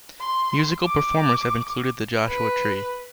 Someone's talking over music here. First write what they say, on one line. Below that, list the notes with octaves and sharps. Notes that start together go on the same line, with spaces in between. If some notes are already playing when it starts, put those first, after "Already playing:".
Musical performers have included The Joshua Tree.
C6
D6
B4